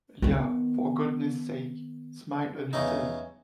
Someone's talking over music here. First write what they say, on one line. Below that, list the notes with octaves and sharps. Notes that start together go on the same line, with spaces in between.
Liah, for goodness sake smile a little.
D#3 B3
E2 C#3 D#4